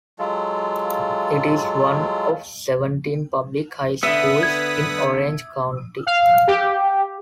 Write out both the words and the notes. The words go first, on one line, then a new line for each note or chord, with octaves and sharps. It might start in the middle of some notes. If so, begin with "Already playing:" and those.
It is one of seventeen public high schools in Orange County.
F#3 G#3 F4 A4
D3 B3 B4 E5 D#6 B6
G#6
F5
G4